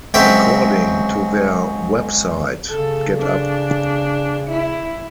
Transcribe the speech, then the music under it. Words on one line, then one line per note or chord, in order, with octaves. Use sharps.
According to their website, GetUp!
C#2 F#3 C4 E5 G5
C#3 A4
D4
E4